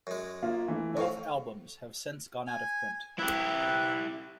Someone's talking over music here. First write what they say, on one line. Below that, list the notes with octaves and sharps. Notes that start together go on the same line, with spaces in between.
Both albums have since gone out of print.
F#2 G#3
A#3 F4
E3 A3
F2 A2 F5 C#6
G#5
E4 G4 B4 E5